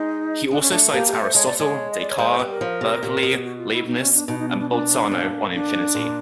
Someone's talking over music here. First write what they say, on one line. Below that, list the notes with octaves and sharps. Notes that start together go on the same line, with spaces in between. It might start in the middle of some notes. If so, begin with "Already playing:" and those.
He also cites Aristotle, Descartes, Berkeley, Leibniz, and Bolzano on infinity.
Already playing: G#3 D#4
G#3 D4
C#4
A3 D4
A#3 G4
G4
A3
C5
G#3 C#5
A3 D5
G#3 C#5
D#5
D5
C#5
G#3 C5
C5
G3 B4
A#4
F3
C3
A#2
C3
B2
F#4
F4
E4
D#4
C#4
D4
B2 D#4
D#4
D4
D4
D4
A#2
D4
A#2